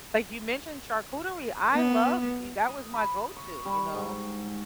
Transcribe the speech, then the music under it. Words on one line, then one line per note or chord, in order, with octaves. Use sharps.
like you mentioned charcuterie, I loved that was my go-to, you know,
B3
D#5
B5
C#5
G3
G#2